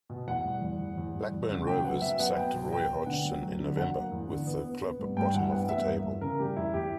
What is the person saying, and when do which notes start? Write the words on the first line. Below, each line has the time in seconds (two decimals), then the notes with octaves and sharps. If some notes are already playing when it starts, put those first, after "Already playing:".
Blackburn Rovers sacked Roy Hodgson in November, with the club bottom of the table.
0.10 B2
0.27 E2 F#5
0.45 G3
0.62 E2
0.79 E2
0.98 E2
1.14 G3
1.32 E2
1.50 C#3
1.66 F#3 G5
1.84 B3 F#5
2.02 F#3 E5
2.19 B3 F#5
2.37 F#3 G5
2.54 B2
2.72 B3 G5
2.89 B3
3.06 D3 F#5
3.25 F#3
3.42 F#3
3.60 D3
3.77 F#3 F#5
3.94 A#3
4.12 E2
4.29 D3
4.47 B3
4.64 B3
4.82 B3
4.99 G2
5.17 G2 G5
5.34 E3 F#5
5.52 B3 F#5
5.69 G2 E5
5.87 A#3
6.04 E2
6.21 C#3 A#4
6.40 G3 G4
6.56 E2 E4
6.73 E2 G4